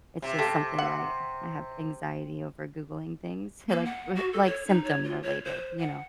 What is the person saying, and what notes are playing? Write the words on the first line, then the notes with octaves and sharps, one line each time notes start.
It's just something I I have anxiety over Googling things, like, r like symptom related, you know.
C3
A3 G4
F#5
A#3
F#5
F#4
A4
C#5
D#4
C#5
F4
C#5
C5
F#5